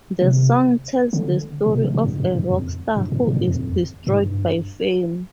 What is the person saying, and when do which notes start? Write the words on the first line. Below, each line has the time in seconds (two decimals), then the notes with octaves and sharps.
The song tells the story of a rock star who is destroyed by fame.
0.22 C3
1.13 D3
1.66 A#2
1.73 C3
1.84 C3
1.95 C3
2.04 G2
2.20 G2
2.35 G2
2.50 F2
2.96 G2
3.12 G#2
3.27 A#2
3.37 G#2
3.47 F2
4.07 G#2
4.19 G2